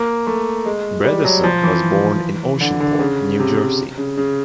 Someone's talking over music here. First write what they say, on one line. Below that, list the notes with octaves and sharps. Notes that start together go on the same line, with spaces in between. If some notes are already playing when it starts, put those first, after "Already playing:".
Bredesen was born in Oceanport, New Jersey.
Already playing: A#3
A3
G#3
G3
F#3
F3
E3
D3
D3
C#3
C3
C#3
C#3